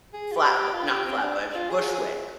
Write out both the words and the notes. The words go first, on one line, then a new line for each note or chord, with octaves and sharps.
Flatbu not Flatbush, Bushwick,
G#4
F4
G4
G4
F4
G4
C4
D4
F4
G#4
G#4